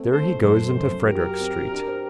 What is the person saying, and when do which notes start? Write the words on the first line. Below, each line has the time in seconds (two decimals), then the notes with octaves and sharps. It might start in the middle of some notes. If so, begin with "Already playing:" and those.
There he goes into Frederick street.
Already playing: A3 C4
0.10 A3 A4 C5
0.26 A3
0.42 F#2 A4 C5
0.59 A3
0.75 F#2
0.91 F#2
1.06 F#4 G4 A#4
1.23 F#4
1.39 C4
1.55 F#4
1.72 D4
1.87 C5